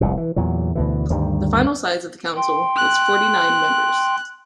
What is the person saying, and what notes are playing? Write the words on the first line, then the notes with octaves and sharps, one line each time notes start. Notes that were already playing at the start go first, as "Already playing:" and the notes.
The final size of the council was forty-nine members.
F1 C2 A#2
E3
E2 A#2 F#3
D2 B2 E3
D2 G2 D#3 G3
G5 C6
F#6